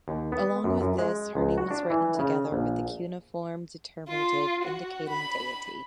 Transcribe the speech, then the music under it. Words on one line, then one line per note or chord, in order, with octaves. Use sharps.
Along with this her name was written together with the cuneiform determinative indicating deity.
D#2
B3
F#2
F#2
G#3
C#2
F#4
D4
E3
C#3
A#1
F4
F#4
B5